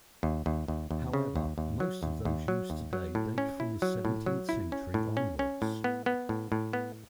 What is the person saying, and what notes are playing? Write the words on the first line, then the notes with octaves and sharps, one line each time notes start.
However, most of those used today date from the seventeenth century onwards.
D#2
D#2
D#2
D#2
C#3
D#2
D#2
F#3
D#2
D#2
F#3
D#2
F#3
A2
C#4
E4
F#3
A2
F#3
E4
C#4
A2
C#4
C#4
A2
B3
B3
A2
A2
B3